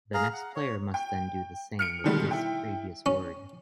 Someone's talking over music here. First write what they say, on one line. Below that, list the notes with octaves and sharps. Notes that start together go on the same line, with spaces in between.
The next player must then do the same with this previous word.
G#4 F5 A#5
F#5
C#5
G5
F6 C#7 D7
B2 D3 D#3 G3 G#3
E4 G5
C#4